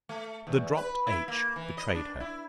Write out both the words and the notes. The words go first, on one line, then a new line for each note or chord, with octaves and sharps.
The dropped "h" betrayed her.
A3
E2
B4
E4
A#3
E3
D#5
D4
E4